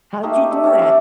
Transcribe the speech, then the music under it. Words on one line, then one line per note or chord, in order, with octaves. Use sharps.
How'd you do it?
A3 A#3 D#4 G4
G4 D#5
A4 D5 E5
C#4 G4 A4
E5 D6